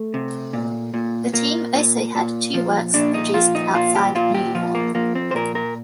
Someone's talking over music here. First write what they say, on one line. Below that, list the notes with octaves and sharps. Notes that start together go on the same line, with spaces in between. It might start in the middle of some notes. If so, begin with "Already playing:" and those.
The team also had two works produced outside New York.
Already playing: A3
C3
A#2
A#2
A#2 A#3
A#2
A#2
F3
A#2 D4
D#4
F3 F4
D#4
A#2 F4
G4
A#2 F4
G4
F3 F4
A#3
F3 A#3
C4
C5
A#2 A#4
A#4